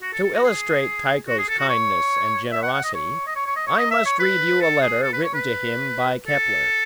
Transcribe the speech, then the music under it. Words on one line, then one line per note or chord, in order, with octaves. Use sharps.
To illustrate Tycho's kindness and generosity, I must read you a letter written to him by Kepler.
F#4
A4
A4
F#4
G#4
F#4
G#4
A4
F#4
C#5
E5
F#5
F#5
D#5
C#5
D#5
C#5
C#5
D#5
C#5
D#5
E5
C#5
B4
A4
G#4
A4
B4
C#5
B4
A4